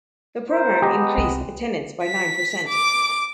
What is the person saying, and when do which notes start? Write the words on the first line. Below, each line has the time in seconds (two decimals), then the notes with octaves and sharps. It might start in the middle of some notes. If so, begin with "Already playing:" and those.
The program increased attendance by nine percent.
0.49 E4 A#4 C5
0.82 G#3 B3 G4 D#5 A#5
1.18 C2 C4
2.04 B6
2.68 D6